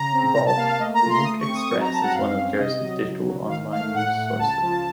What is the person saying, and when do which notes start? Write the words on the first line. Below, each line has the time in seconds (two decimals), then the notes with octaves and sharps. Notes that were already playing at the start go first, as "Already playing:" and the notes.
Bailiwick Express is one of Jersey's digital online news sources.
Already playing: C#3 A#5
0.12 C4
0.34 C3 A#5
0.46 A5
0.57 A#3 F5
0.68 F5
0.79 A3 D#5
0.94 A#5
1.02 F4
1.09 C6
1.24 A3 D#6
1.39 C#6
1.47 C4
1.54 D#6
1.69 F#3 C#6
1.80 A#5
1.92 C4 A5
2.03 F#5
2.14 F#2 F5
2.37 C#4
2.59 C3 D#5
2.82 F#3
3.04 C#2
3.26 F#3
3.49 D#3 F5
3.72 A3 F5
3.94 A2 F#5
4.17 A2
4.38 C#2 A5
4.61 F3